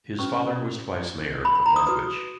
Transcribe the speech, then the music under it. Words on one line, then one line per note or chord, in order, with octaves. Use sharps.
His father was twice mayor of Northwich.
C#4 F#4 B4 C#6
B5
B5
A#5
D#6
F#4 B4 D#6